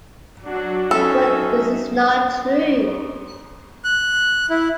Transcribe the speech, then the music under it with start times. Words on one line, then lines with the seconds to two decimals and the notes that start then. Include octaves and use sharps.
But this is not true.
0.44 F#3 D4 F#4
0.91 F#3 C#4 D#4 A4 E5
3.84 F#6
4.50 E4